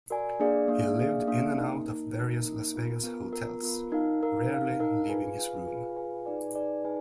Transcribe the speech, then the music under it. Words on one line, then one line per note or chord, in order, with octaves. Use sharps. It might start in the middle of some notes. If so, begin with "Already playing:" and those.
He lived in and out of various Las Vegas hotels, rarely leaving his room.
F#4 A#4 D5 G#5
A#3 D4 G#4 D5 F5
A#3 D4 G#4 D5 F5
A#3 D4 G#4 D5 F5
A#3 D4 G#4 D5 F5
A#3 D#4 A#4
A#3 D#4 A#4
A#3 D#4 A#4
A#3 D#4 A#4
B3 F4 A#4
B3 F4 A#4
B3 F4 A#4
B3 F4 A#4
D#4 A#4 F5
D#4 A#4 F5
D#4 A#4 F5
D#4 A#4 F5
F4 G#4 B4 F5 G#5
F4 G#4 B4 F5 G#5
F4 G#4 B4 F5 G#5
F4 G#4 B4 F5 G#5
D#4 G#4 B4 D5 G#5
D#4 G#4 B4 D5 G#5
D#4 G#4 B4 D5 G#5